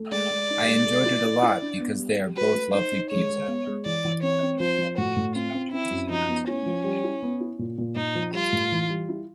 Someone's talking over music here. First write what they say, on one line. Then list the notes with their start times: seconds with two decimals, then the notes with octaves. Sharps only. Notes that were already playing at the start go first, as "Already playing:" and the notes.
I enjoyed it a lot because they are both lovely people.
Already playing: A3
0.12 G#3 D5
0.31 G#3
0.50 D#4
0.68 G#3
0.86 A4
1.06 E4
1.24 E4
1.42 E4
1.61 D4
1.80 B3
1.99 G3
2.17 G3
2.36 F#4 B4
2.55 A3
2.74 D#4 C5
2.92 D#4
3.11 G#3 C#5
3.30 G#3
3.48 B3
3.67 G#3
3.86 E3 D5
4.05 E3
4.22 C4 C#5
4.42 C4
4.60 F3 C5
4.78 F3
4.98 A2 F#4
5.16 A2
5.35 C4 F4
5.54 C4
5.72 C4 E4
5.91 F#2
6.10 F3 D#4
6.29 B3
6.47 C#4 E4
6.66 F3
6.84 G3
7.04 E4
7.22 B3
7.40 E4
7.59 A#2
7.78 A#2
7.96 A#2 D#4
8.15 F3
8.33 G3 F4
8.53 A2
8.72 E3
8.89 G3
9.09 E4